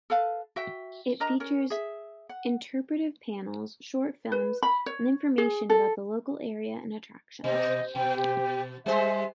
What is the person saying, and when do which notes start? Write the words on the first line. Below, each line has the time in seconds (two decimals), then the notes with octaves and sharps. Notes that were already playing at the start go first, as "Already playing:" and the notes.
It features interpretive panels, short films, and information about the local area and attractions.
0.10 A4 B4 F5 A5
0.56 F#4 E5 G5
1.20 D4 A#4 D#5 A#5
1.40 C#4 A#4
1.70 G#4 E5
2.29 F#5
4.32 B4
4.63 B5
4.86 C#5
5.38 G#4
5.70 A4
7.44 B2 D#5
7.95 B2 G5
8.17 G4
8.86 G3 G#3 C5 E5